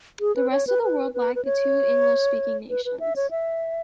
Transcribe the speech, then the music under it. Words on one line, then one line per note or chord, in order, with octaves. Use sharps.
The rest of the world lagged the two English speaking nations.
G#4
B4
C#5
B4
B4
B4
B4
C#5
B4
B4
E5
C#5
E5